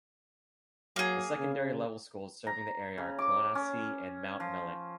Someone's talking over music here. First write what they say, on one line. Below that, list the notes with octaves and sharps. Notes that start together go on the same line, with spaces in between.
The secondary level schools serving the area are Clonaslee and Mountmellick.
F#3 A#3 G#4
C#3
A#5
C#3
D6
C#4
F3